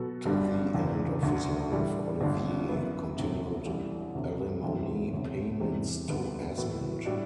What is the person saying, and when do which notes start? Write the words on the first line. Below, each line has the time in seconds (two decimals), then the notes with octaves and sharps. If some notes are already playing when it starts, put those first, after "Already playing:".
To the end of his life, Olivier continued alimony payments to Esmond.
Already playing: B2 F#3 B3 F#4 A4
0.25 G1 G2 D3 G3 D4
0.74 F#1 E2 D3
1.23 D2 D3 F#3
1.71 A2 E3 G3 D4
2.21 G1 G2 D3
2.69 F#2 E3 B3
3.17 E1 D2 C3
3.66 A1 A2 G3 D4
4.14 E1 D2 C3
4.62 E1 D2 C3 E3
5.12 E1 D2 C3
5.60 E2 C3 G3 C4 G4
6.08 D2 D3 G3 B3 D4
6.57 A2 E3 B3 F#4 A4
7.05 A2 G3 D4 F#4